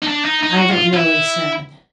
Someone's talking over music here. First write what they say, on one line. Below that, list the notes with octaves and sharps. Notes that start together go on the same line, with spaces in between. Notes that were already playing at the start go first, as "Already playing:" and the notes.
"I don't know," he said.
D#4
D4
D#4
D#4
F#4
F4
F4
E4